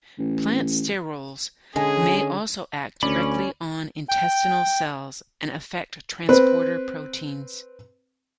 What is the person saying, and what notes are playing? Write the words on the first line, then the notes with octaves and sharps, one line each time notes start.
Plant sterols may also act directly on intestinal cells and affect transporter proteins.
A1
D3 G#3 C#4 G#4
D2 C#4 D5 B5
G5
C4 B4